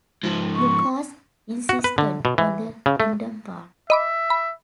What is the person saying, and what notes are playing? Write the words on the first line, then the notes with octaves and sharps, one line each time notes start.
Lucas insisted on the "Kingdom" part.
G#2 F3
C#6
F#4
B4
D3
B2
E3
C#3
A3
D#5 E5 B5 D6
B5